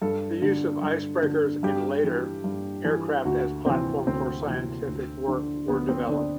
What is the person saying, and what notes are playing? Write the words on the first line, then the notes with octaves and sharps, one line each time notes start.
The use of icebreakers and, later, aircraft as platforms for scientific work were developed.
G2 A4
D3
G2
D3
G2 G4
E3
G2
E3
D2 F#4
C3 E3 C4
D2 C4
C3 E3
D2
D3
D2 B3
C4
D3 D4